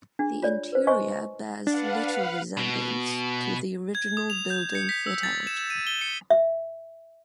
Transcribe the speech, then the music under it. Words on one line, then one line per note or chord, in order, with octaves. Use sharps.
The interior bears little resemblance to the original building fitout.
D4 G#4
F4 C#5 D5
B4 C5
C5 D#5 G#5 C6 C#6
D4 B4 F5 F#5
B2
G#6
D#6
F7
G6
C#7
B6
E6
A6
E7
D#7
G7
C#7
E5